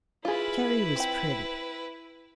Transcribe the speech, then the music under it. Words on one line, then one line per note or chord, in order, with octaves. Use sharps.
Carrie was pretty.
E4 F4 G#4 B4
C4 G5